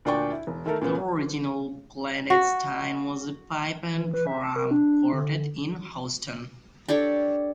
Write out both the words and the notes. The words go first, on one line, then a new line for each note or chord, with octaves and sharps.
The original Clandestine was a pipe-and-drum quartet in Houston.
D2 A#2 D4 D5 G5 C#6
E4
E1
D#3 A3 A4 A#4
A#2 C#3 B3
F#4
E3
B4
E5
A5
A#4
D4
D3
D4 G4 A4 C#5